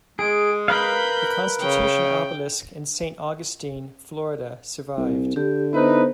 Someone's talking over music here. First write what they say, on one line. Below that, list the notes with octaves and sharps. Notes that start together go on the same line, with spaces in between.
The Constitution Obelisk in Saint Augustine, Florida survived.
G#3 G#4 D7
A#4 B4 F5 B5 G6
C#3 G5
C2
D3 G4
B3 D#4 E4 B4 C5